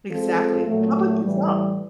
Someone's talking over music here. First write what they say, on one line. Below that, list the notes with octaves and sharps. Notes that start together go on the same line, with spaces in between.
Exactly. How about yourself?
F3 G#3 C4 F4 A4
A#2 F#3 A3
A2 E3 G3